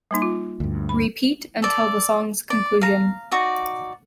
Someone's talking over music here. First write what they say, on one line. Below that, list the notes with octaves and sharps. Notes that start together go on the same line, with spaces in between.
Repeat until the song's conclusion.
G3 A#3 D#4
F4
D2 G2
B5
A4 D5
D5
F5 A#5
D#4 F#4 D5